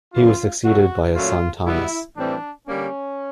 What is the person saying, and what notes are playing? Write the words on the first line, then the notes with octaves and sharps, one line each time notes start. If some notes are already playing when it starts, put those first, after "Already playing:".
He was succeeded by his son Thomas.
F#2 C#3 E3 F4
C#3 F#3 A3 F#4
A#2 F#3 A3 C#4 F4
B2 G3 B3 E4
A2 E3 G3 C4 D4
D3 G3 A#3 C#4